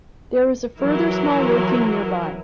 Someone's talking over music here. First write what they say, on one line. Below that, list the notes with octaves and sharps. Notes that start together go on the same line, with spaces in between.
There is a further small working nearby.
E3 F#3 E4 A#4